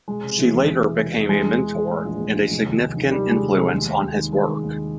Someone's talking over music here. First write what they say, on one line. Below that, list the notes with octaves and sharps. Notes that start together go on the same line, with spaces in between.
She later became a mentor and a significant influence on his work.
E1 G#3
C3
E3
E2
E2
E3
C3
E2
E3 G#3
E3
E3
E3
A2
A#1
A2
A#1
F1
D#2
F1
D#3
D#3 G3
F1 G#3
D#3
D#2 G#3
D#2 G#3
D#2
D#2
D#3
D#2 G#3
D#3
D#2